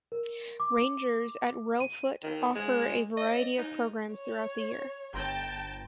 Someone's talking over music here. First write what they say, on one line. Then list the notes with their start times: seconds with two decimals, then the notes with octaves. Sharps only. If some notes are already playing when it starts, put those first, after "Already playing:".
Rangers at Reelfoot offer a variety of programs throughout the year.
0.12 A#4
0.60 D6
1.80 D#7
2.24 D#3
2.55 G#3
3.17 D#5
3.58 D#4
4.13 C#5
5.14 G1 G5 A5 A#5 C6 A#6